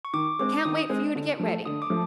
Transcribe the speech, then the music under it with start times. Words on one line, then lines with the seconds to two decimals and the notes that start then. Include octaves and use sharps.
"Can't wait for you to get ready."
0.05 C#6
0.13 D#3 D6
0.39 G#3 C4 D6
0.65 D#3 D#6
0.89 G#3 C4
1.15 D3
1.39 F3 A3
1.66 D3 D#6
1.82 D6
1.90 F3 A3